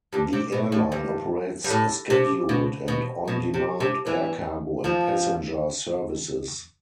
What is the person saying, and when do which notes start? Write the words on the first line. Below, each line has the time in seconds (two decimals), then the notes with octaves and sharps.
The airline operates scheduled and on-demand air cargo and passenger services.
0.13 G2 G3
0.33 C3
0.52 B2
0.72 A2
0.92 G2
1.64 G2
1.70 A2
2.10 C3
2.49 B2
2.88 B2
3.28 B2
3.54 C3
3.80 C3
4.06 E2 E3
4.84 F2 F3